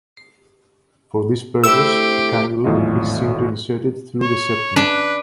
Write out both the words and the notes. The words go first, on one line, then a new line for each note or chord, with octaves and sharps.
For this purpose, a canula is simply inserted through the septum.
D2 A3 C4 E4 G4 E6
G#1 E2 A2 F#3 F4 D#5
C#5
D4 B4